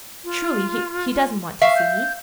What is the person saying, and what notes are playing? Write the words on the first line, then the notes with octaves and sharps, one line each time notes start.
Truly, he--he doesn't want to see me.
F4
E5 F5 C#6
G6